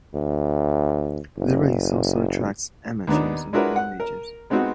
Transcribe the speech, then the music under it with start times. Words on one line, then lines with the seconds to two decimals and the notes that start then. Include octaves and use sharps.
The race also attracts amateurs of all ages.
0.14 D2
1.37 F#1
3.07 D#2 B3 D4 D#4
3.53 G#3 D4 E4 F#4 A#4 B4
3.76 F#5
4.00 A#4
4.50 G#3 B3 C4 D#4 F#4